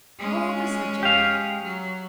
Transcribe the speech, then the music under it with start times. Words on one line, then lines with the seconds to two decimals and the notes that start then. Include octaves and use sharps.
Oh, the subject!
0.19 G#3 C#4
1.03 G4 F5
1.63 F#3